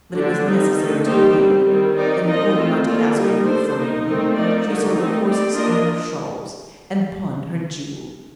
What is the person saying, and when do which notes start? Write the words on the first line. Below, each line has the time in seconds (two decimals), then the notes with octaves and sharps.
But it was necessary to pay, and in order not to ask you for money, she sold her horses and her shawls, and pawned her jewels.
0.15 D3 A3 D4 G4
0.45 G3 C4 D#4
0.76 D#3 A3 D#4 A4
1.05 G3 A#3 D#4 G4 C5
1.36 D3 G3 C4
1.65 D#3 G3 C4
1.96 C4 D#4 A#4 D5
2.25 F3 A#3 D#4 A#4 D#5
2.55 A3 C4 F4 A4
2.86 A#3 F4 A4 D5
3.15 G3 A#3 D#4 A#4
3.46 D4 A4 C5
3.76 A#3 D#4 A#4
4.05 A3 C4 D#4 A#4
4.35 F3 A3 D#4 A#4 D5
4.66 D3 A3 D#4 A#4
4.96 D#3 A3 C4 D#4
5.25 C4 G4 D5
5.56 A#3 D4 F4 A#4 D#5